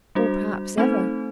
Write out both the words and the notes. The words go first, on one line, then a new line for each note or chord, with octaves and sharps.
"Or perhaps ever."
G3 D4 F#4 C5
A3 C4 D#4 A4 C5